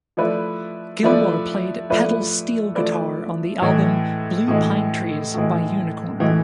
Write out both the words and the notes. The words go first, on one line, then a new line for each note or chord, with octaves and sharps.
Gilmour played pedal steel guitar on the album "Blue Pine Trees" by Unicorn.
F3 A3 E4 B4 D5
F3 A3 E4 B4 D5
F3 A3 E4 B4 D5
F3 A3 E4 B4 D5
A2 E3 G#3
A2 E3 G#3
A2 E3 G#3
A2 E3 G#3